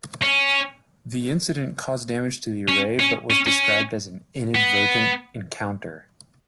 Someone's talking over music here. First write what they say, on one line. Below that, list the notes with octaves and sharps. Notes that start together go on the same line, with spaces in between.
The incident caused damage to the array but was described as an "inadvertent encounter".
C#4
C#4
C#4
C#4
C#4
B3